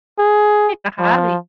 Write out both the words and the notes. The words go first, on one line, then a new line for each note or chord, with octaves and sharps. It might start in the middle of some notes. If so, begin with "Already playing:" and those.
pick a hobby?
G#4
F3